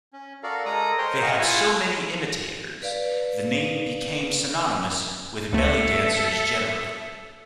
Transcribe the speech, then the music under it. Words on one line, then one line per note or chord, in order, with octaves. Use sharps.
They had so many imitators, the name became synonymous with belly dancers generally.
C#4
F#4 A4 A#4 D5 F5
G#3 A4 A#4 A#5 D#6
A#4 C5 C#5 D#5 G5 C6
C#5 D#5 F5 F#5 G#5 C#6
E4 F4 G#5 C#6 E6 F#6
B4 D5 F5
C#2 A3 A4 E5